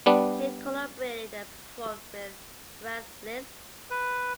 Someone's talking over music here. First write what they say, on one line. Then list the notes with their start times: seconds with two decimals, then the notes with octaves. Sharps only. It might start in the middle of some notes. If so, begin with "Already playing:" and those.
She collaborated and performed with Franz Liszt.
0.06 G3 B3 D4
3.90 B4